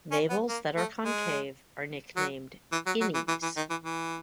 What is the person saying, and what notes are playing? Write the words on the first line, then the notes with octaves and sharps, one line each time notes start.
Navels that are concave are nicknamed "innies".
C#4
B3
A#3
A3
G#3
F#3
E3
F#3
F#3
E3
E3
E3
D#3
E3
E3